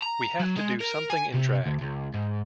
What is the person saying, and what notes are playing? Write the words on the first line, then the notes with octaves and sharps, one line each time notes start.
We have to do something in drag.
A#5
F#3
G#3
A#4
G#5
C3
D2
C#2
G#2